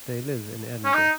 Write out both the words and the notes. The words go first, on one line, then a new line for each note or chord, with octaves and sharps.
They live in Edinburgh.
C#4
D#4